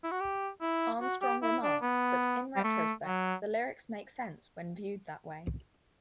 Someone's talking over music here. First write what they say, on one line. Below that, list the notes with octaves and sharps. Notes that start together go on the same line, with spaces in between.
Armstrong remarked that, in retrospect, the lyrics make sense when viewed that way.
E4
F#4
G4
E4
F#4
G4
E4
D4
B3
G3
A3
F#3